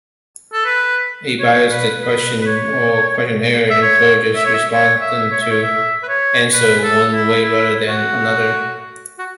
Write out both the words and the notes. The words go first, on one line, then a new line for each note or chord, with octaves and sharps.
A biased question or questionnaire encourages respondents to answer one way rather than another.
A4
B4
C#5
B4
B4
B4
C#5
E5
C#5
E5
C#5
E5
C#5
E5
C#5
E5
C#5
E5
B4
C#5
B4
A4
E4
E4
F#4
F#4